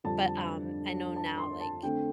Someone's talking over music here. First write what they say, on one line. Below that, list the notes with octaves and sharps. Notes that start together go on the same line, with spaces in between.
but, um, I know now, like
F2 D3 G3 D4 A5
A5
A5
C6
A5
D3 A3 C4 G5